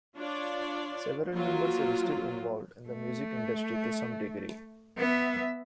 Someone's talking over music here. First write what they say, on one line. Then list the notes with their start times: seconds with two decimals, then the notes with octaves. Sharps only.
Several members are still involved in the music industry to some degree.
0.16 D4 F4 C#5 D5
1.33 F3 F#3 A#3 F4
2.89 A3
4.98 B3 E5